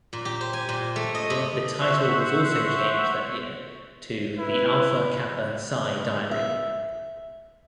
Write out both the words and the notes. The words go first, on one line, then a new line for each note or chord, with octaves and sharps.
The title was also changed that year to "The Alpha Kappa Psi Diary".
A#2
G4
C5
G#5
A#2
A3
D#5
C3
C5 E5 F#5 C#6
E4 B4
E5